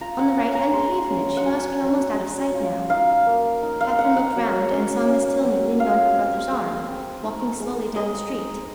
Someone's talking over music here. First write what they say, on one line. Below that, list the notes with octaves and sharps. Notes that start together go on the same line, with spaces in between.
"On the right-hand pavement--she must be almost out of sight now." Catherine looked round and saw Miss Tilney leaning on her brother's arm, walking slowly down the street.
F4 A#5
F#5
C#4 G#5
A#5
G#3 C6
C#4
F#5
F#3 G#5
F#3
F#3
F4
D#4 F5
A#3
D#4
F5
D#4 F#5
F#5
F#3
C#4
C#4
F#3
F4 F5
C4
G#3
C4
D#4
G#3
G#3 D#5
D#4